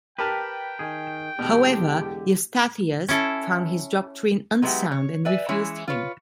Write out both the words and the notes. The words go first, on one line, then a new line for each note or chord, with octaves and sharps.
However, Eustathius found his doctrine unsound and refused him.
G4 A#4 B4 G5 A5
D#3 G#4
E2 B2 D3 G#3 G4
C#4 E4 A4
F#3 G#3 B3 C#4 E4 G4
C#5
B4 D5 E5 G#5
E3 G#3 C#4 E4 C#5
F4 B4 C#5